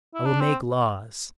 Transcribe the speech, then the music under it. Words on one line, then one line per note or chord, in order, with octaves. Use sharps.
I will make laws.
E4
D4
C4